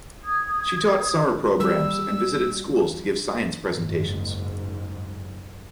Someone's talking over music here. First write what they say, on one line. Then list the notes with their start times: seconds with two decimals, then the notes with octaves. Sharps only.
She taught summer programs and visited schools to give science presentations.
0.25 D#6 G#6
1.60 G3 E6
3.70 F#1 G#2